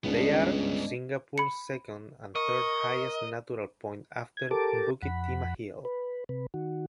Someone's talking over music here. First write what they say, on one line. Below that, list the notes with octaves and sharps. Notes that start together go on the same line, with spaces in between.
They are Singapore's second and third highest natural point after Bukit Timah Hill.
C#2 G2 G#3 B3 C#4 D4
B5 C#7
A#4 D#5 C#6
G#6
G4 A4 A#4 A5 D6
F2 F#5 B5
B4
C3 B4
D#3 F#4